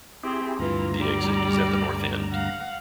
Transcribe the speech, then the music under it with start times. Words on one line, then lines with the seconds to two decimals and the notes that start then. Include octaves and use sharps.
The exit is at the north end.
0.23 C4 E4 G4 G#4
0.59 D2 G2 E3 F4 A#5
0.97 G3 D5
2.31 F5 F#5